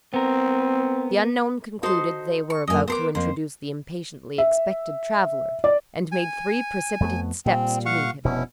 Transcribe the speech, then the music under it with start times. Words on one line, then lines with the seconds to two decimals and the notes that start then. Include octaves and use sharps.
The unknown concluded they were about to introduce the impatiently expected traveler, and made three precipitate steps to meet him.
0.14 B3 C4 A#4
1.83 D#4 F#4 A4 C5 C6
2.50 C#6
2.68 F#2 A#3 D#5 G#5
2.88 B3 A#4 C5 C6 D6
3.15 F2 A#3 C5
4.38 E5
5.64 D5
6.12 G#5
7.00 F2 A3 B3
7.46 A#2 G3 C4
7.86 F5 F#5 C#6
8.25 F1 B2 B3 C#4 E4